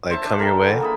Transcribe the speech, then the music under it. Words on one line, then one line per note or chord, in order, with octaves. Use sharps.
like, come your way.
C5 E5 A5
D4
A4 A#4 E5 G5
D3 E3
A#3 G#4 B5